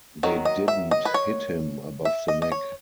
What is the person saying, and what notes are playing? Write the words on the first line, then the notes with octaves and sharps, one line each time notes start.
They didn't hit him above the neck.
D#3 F#3
D#5
E5
D#5
B4
C#5
E5
D#5
D#5
C#5